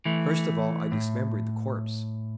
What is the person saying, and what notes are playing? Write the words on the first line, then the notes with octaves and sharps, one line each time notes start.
First of all I dismembered the corpse.
E3 A3
A2